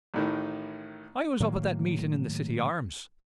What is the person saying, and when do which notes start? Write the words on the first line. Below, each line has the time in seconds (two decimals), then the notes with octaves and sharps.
I was up at that meeting in the City Arms.
0.14 A1 A2 D#3
1.40 A2 D#3 F#3 A#3